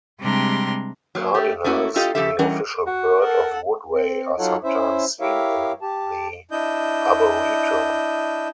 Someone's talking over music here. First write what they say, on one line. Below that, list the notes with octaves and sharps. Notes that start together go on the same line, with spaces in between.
Cardinals, the official bird of Woodway, are sometimes seen in the arboretum.
C3 G3 G#3 D4 A#5 C6
F#3 A#3
A3 G4
A3 A#3 C#4 E4 F#4
F4 G4 A4 D#5 F5
C#3 E3 F3 G4 A4 E5
E3 G3 C#4 A#4 D#5 F#5
F#4
A4 A#4 F#5
C4
F#3 D#4 F4 A4 C#5 F#5
C#4 E4 C5 E5
E4 G4 A#4 C#5 E5 F5
G4 A5
D4 E4 D#5 G6